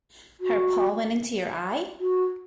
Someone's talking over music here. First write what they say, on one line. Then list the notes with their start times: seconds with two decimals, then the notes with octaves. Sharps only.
Her paw went into your eye?
0.40 F#4
2.00 F#4